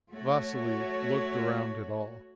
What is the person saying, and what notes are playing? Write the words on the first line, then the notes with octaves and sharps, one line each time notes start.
Vasily looked around at all.
A3 F#4 C#5